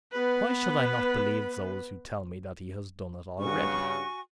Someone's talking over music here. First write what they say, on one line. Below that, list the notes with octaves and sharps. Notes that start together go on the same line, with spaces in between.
Why should I not believe those who tell me that He has done it already?
B3 B4
G2 C#3 F#4 G#5 C#6